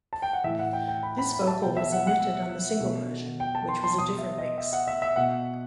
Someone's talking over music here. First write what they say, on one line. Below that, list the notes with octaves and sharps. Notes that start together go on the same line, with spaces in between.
This vocal was omitted on the single version, which was a different mix.
A5
G5
F#5
A2 E3 E5
F#5
G5
G5
B5
B5
B5
A5
B2 G5
E5
F#5
F#5
B2
G5
A5
C6
C6
B2 D#6
E5
D#5
E5
F#5
E5
E5
B2 F#5